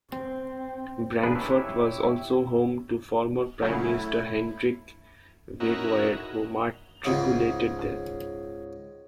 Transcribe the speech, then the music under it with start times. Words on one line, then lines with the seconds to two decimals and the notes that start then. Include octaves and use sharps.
Brandfort was also home to former prime-minister Hendrik Verwoerd, who matriculated there.
0.12 C4
1.23 A#3 D4 G#4 B4
1.35 E4 G4 C#5 E5
3.62 C#3 F#3 A3 E4
5.60 C#4 D#4 E4 F#4 A#4
7.05 C#2 G#2 C#3